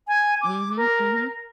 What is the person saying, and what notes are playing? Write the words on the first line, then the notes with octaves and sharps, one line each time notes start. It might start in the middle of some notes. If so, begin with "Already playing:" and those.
Mhm, mhm.
G#5
D6
A#4